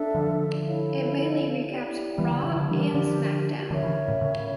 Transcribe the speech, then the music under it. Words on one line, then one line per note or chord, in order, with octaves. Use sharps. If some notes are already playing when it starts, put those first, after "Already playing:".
It mainly recaps "Raw" and "SmackDown".
Already playing: D4 A4 E5
D3 F3
E4 A4 C#5 F5
E4 G4 D5 G5
E3 G3
D3 F3
C#3 E3
D3 F3
E3 G3 D4 G4 A#4
D3 F3
D3 F3 A#4 C#5 E5
C#3 E3
A2 C#3
A2 C#3